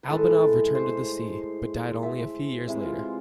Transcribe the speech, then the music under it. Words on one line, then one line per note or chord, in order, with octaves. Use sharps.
Albanov returned to the sea, but died only a few years later.
B4
A2 G#3 A4
C5
E5
C3 E3 G#3 E5
F4
F4